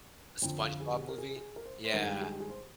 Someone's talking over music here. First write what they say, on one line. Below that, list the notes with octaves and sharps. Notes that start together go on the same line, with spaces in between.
The SpongeBob movie? Yeah.
F2 D3 F3 G5
F5
G#4
G4
G#4
A#4
G#4
G#4
A#4
C5
C5
G2 D#3 G#3 A#4
G#4
G4
G#4
G4
G#4
C5